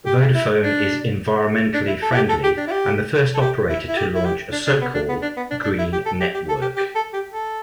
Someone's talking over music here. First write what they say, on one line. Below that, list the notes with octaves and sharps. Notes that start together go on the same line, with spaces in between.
Vodafone is environmentally friendly and the first operator to launch a so-called Green network.
G4
E4
D4
D4
E4
A4
E4
G4
A4
G4
D4
E4
G4
A4
G4
E4
E4
G4
E4
G4
D4
D4
B3
D4
B3
D4
B3
D4
D4
E4
G4
A4
G4
G4
A4
G4
G4
A4
G4
A4